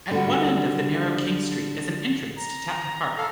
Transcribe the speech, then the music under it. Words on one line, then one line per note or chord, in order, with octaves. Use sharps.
At one end of the narrow King Street is an entrance to Tatton Park.
D3 G3 F#4
A#5
A4 F5